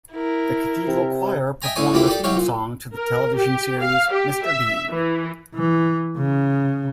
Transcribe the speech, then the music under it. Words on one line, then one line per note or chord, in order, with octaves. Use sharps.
The Cathedral Choir performed the theme song to the television series "Mr. Bean".
E4 A#4
C3
D#5 E5 G5 G#5 A#5
A2 D3 D#4 C#5 G#5
D2 F3 A#3 E4 G4 A#4
D#4 G4 A4 D5
C2 F#3 G4 C#5 F5
A#2
A#4
G4
F5
G4
E5
E3
E3
C#3